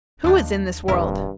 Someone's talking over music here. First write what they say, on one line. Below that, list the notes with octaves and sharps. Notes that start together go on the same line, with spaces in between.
"Who is in this world?"
D#2 F3 D4 D#4
D#1 G2 E4 A#4